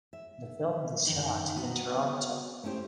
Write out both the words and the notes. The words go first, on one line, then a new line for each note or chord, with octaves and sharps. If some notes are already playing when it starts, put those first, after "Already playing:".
The film was shot in Toronto.
E5
F#2 D#3 D#4
B3 F#4 F#5 A#5
A3 C#4 E4 G4 C5